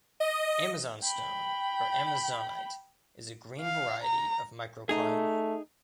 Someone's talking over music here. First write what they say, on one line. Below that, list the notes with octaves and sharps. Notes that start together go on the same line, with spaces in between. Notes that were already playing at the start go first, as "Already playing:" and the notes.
Amazon stone, or amazonite, is a green variety of microcline.
D#5
G5 B5
F5
A#5
A3 D#4 G#4